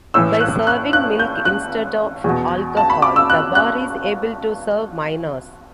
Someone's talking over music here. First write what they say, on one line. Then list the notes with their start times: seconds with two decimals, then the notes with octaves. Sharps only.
By serving milk instead of alcohol, the bar is able to serve minors.
0.14 A2 E3 E6
0.40 F#6
0.67 F#6
0.93 F#6
1.19 G6
1.45 F#6
2.24 E2 B2
2.77 A5
2.90 B5
3.02 D6
3.16 E6
3.30 F#6
3.55 F#6